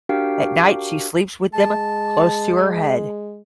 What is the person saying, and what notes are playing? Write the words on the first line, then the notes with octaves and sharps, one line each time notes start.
At night she sleeps with them close to her head.
D4 F#4 G4 A#4 F5 G5
G#3 A5